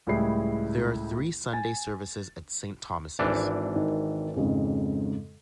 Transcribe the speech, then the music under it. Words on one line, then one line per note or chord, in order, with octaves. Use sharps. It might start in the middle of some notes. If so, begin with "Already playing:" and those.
There are three Sunday services at St Thomas'.
C#2 A2 G3 E4 G#4 C7
G#5 A6
G#1 E3 D4
D#3
F2 G#2 C#3